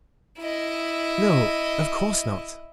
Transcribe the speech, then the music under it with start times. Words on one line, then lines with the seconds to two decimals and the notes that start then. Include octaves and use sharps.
"No, of course not."
0.39 E4 D#5